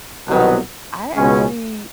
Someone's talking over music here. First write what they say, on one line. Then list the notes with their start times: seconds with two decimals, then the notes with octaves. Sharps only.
um, I actually
0.27 C2 B2 F#3 B3
1.15 C#2 B2 G#3 C#4